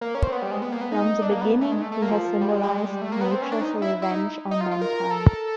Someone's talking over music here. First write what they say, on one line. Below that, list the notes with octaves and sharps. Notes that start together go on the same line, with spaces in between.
From the beginning he has symbolized nature's revenge on mankind.
A#3
C#4
C4
B3
G3
G#3
B3
A#3
B3
D#4
D4
A#3
B3
A3
G#3
A3
A3
A#3
F3
G3
G#3
G3
G#3
G3
G#3
G3
A3
A#3
B3
C4
C#4
D4
D#4
E4
E4
D#4
D#4
F4
F4
A#4
A4